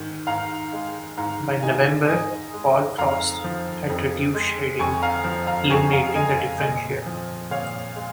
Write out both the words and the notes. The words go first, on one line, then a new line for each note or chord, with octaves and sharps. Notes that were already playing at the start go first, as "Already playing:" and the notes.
By November, fall frosts had reduced shading, eliminating the differential.
Already playing: G#2 D#3
G#2 F5 A#5
G#3
G#2 F5 A#5
D#3 D#5 G#5
G#2 D#5 G#5
G#3
F2 F5 A#5
F3
F2
G#3
F2 G#5 C#6
F5 A#5
F3
F5 A#5
F2 G#5 C#6
F5 A#5
G#3 D#5 G#5
A#2 D#5 G#5
F3
A#2 C#5 F5
G#3